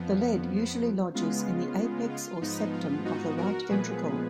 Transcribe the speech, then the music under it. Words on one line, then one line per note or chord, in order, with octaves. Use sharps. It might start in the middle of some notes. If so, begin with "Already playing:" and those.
The lead usually lodges in the apex or septum of the right ventricle.
Already playing: F2 F3 B3
C#3 G#3 B3 F4
F4
F4
F4
G#2 F3 B3 D#4
F4
D#4 F#4
F#4 A#4
A#2 F3 G#3 B3 G#4 B4